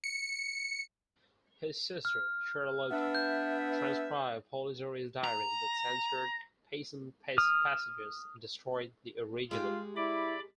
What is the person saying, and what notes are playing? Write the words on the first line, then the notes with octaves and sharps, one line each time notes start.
His sister Charlotte transcribed Polidori's diaries, but censored "peccant passages" and destroyed the original.
C#7
F6
B3 D4 E5
G6
A#5
D#6 F6
G#3 F4 G4
E4 D5 B5 D6